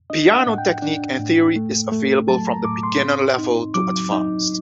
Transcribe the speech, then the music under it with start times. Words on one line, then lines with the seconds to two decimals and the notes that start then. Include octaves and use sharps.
Piano technique and theory is available from the beginner level to advanced.
0.10 D4 D#5
0.33 F#5
0.47 A2
0.58 G5
0.82 D4
1.19 A2
1.56 A3
1.92 A3
2.28 F#3 A5
2.47 A#5
2.65 A2 D6
2.83 C6
3.02 C4
3.38 D#4
3.74 F#3 D6
4.12 D#4